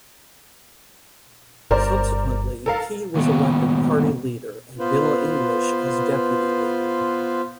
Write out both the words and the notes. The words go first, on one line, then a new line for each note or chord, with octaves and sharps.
Subsequently, Key was elected party leader and Bill English as deputy leader.
G1 A#4 C5 D5
A4 A#4 F5
D#2 B2
B3 F4 B4 C5